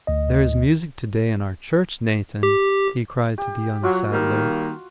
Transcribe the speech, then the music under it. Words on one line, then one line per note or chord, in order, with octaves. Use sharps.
"There is music to-day in our church, Nathan!" he cried to the young saddler.
D2 D#5
G4
G4
F#3 F4 F#4
D#3 G3 A#3